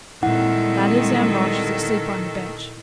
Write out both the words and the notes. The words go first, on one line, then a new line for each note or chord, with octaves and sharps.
That is Ambrosch, asleep on the bench.
A#2 D#3 G3 G#3 C4 E4 A4 F#5